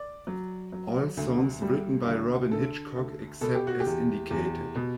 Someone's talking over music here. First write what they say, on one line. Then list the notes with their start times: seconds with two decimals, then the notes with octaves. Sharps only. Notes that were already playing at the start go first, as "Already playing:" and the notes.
All songs written by Robyn Hitchcock except as indicated.
Already playing: D5
0.27 F#3
0.72 F#3
1.17 D2
1.62 G3
2.07 D2
2.51 D3 A4
2.96 D2
3.41 B2 A4
3.55 G4
3.67 F#4
3.80 G4
3.86 E2
4.31 E2
4.75 B2